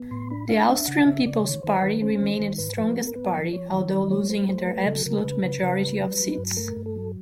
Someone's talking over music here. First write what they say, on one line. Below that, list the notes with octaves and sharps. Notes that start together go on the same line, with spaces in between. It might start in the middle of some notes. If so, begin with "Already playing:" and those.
The Austrian People's Party remained strongest party, although losing their absolute majority of seats.
Already playing: B3
A2 C6
D4 B5
D4 F5
D4 E5
C#3 F#5
C#3 E5
C#3 D5
D#3 C#5
D#3 C5
D#3 B4
C#4 C5
D#3
D#3
G#2 B4
F3 B4
B3 A#4
A#4
B3 B4
F3
F3 C#5
D#3 C#5
F#3 D5
A3 C#5
A3 C5
A3 C5
F#3 B4
C#3 A4
C#3 A#4
C#3 B4
C#3
C#3
G3
F#3
F#3
G2
A3 A#4
G2
A4
F#3